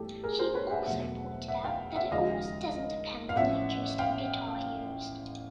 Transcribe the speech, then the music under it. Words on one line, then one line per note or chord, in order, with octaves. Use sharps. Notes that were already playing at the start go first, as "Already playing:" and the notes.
She also pointed out that it almost doesn't depend on the acoustic guitar used.
Already playing: G2 E3 A3 G4 A4
G#4 A#4
A#4 C5
B4 C#5
E5 F#5
E2 B2 F#3 A3 E5 F#5
E5 F#5
F5 G5
E5 F#5
D#2 C#3 F3 G#3 D#5 F5
F5
A1 A2 F3 E5 F#5
F5 G5